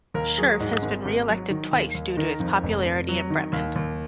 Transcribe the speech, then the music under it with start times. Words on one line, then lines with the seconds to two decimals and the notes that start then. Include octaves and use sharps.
Scherf has been re-elected twice due to his popularity in Bremen.
0.14 D#2 A#4
0.38 F#3 G#4
0.60 G#2
0.82 G#1
1.05 G#1
1.28 F#3
1.50 D#3
1.73 D#2
1.95 D#2
2.17 D#3 A#4
2.40 F2
2.63 F1
2.85 F1
3.09 F#3
3.30 D#3
3.53 D#2
3.76 D#2